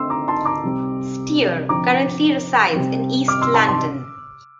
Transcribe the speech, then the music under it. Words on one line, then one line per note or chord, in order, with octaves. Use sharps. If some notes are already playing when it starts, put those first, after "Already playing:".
Steer currently resides in east London.
Already playing: D3 A3 C4 C6 E6
A#5 D6
A5 C6
A#5 D6
C3 G3 C4
D3 F3 C4 A#5 D6
C3 G3 C4
D6 F6
C6 E6
A5 C6
A5 C6